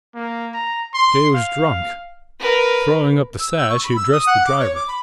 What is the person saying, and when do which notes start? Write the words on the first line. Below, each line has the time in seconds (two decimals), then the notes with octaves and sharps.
Jehu's drunk.' Throwing up the sash he addressed the driver.
0.14 A#3
0.54 A#5
0.94 C6
1.34 F5
2.40 A#4 B4
3.40 E6
3.58 E6
3.70 C#6
3.84 B5
3.97 E6
4.12 D#6
4.27 F#5
4.46 D6
4.59 C#5
4.75 D6
4.88 B5